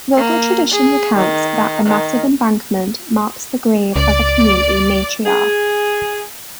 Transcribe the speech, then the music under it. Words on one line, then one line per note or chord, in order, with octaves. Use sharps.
Local tradition recounts that the massive embankment marks the grave of a community matriarch.
A#3
G#4
D#3
D#3
C#2 D5
G#4